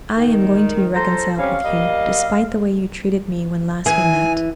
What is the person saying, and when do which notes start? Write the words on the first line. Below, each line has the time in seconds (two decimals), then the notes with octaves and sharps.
I am going to be reconciled with you, despite the way you treated me when last we met.
0.17 D#3
0.95 F4 A4 C5 A#5
1.39 G3 C4 C#4 F5
1.64 G3 A#3 D#5
3.86 E3 G#5